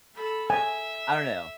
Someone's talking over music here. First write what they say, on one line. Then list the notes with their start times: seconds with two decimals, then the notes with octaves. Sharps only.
I don't know.
0.14 A4 B5
0.50 E5 G#5